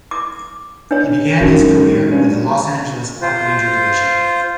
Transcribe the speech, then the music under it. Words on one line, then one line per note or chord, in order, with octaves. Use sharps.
He began his career with the Los Angeles Park Ranger Division.
D6
D4 C#5
F#2 D#3 F#3 G#3
G2 C#4
F4 C5